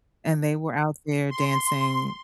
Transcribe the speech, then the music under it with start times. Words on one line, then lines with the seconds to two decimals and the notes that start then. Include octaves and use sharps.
and they were out there dancing
1.31 C6